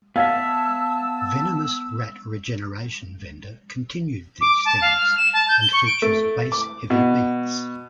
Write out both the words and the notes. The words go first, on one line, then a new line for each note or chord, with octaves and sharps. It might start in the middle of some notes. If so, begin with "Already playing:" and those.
"Venomous Rat Regeneration Vendor" continued these themes, and features "bass-heavy" beats.
B3 C#5 E5 F5 A5 E6
D6
A5
F5
F6
E7
A5
G6
G7
C#6
D7
A3
D6
B2